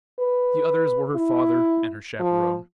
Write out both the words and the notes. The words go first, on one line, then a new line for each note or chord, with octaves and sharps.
The others were her father and her chaperone.
B4
E4
F3